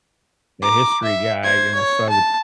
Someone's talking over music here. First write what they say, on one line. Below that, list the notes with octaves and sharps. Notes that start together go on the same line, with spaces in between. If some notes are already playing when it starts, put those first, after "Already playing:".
a history guy, you know, so I would
A#5 D6
E5
C5 G#6
C#5
A5